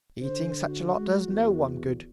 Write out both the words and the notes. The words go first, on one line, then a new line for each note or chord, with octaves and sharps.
Eating such a lot does no one good.
D3 C5
F#4
G#3
E2